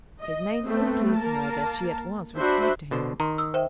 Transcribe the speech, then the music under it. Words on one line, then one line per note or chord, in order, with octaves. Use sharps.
His name so pleased her that she at once received him.
D#5
A3 B3 C4
A#3 A#4 A5
D4 F#4 C5 E5 B5
B2 D3 C5
D#3 A#5 C6
D#6 E6
C5 D#5 E5 G5